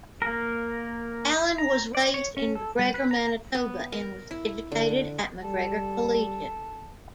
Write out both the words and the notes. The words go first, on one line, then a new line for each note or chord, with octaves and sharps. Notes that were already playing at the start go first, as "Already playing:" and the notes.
Allan was raised in MacGregor, Manitoba and was educated at MacGregor Collegiate.
A#3 A#4
A#5
D5
C#5
C#4
A4
G3
B4
A#5
B3
A#4
E4
D3
G3 A4